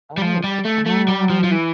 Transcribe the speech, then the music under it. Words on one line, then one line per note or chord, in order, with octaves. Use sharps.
Oh, um
G3
F3
G3
A3
A3
G3
F3
F3
E3